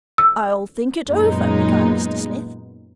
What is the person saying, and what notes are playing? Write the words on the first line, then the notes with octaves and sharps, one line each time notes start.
'I'll think it over--' began Mr Smith.
E6
F#2 A#2 G#3 B3 D#4